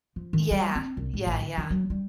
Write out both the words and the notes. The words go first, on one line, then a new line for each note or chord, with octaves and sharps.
Yeah. Yeah, yeah.
F3
D#3
G3
C4
C2
G#2
A1
D3
D#3
F#3
G3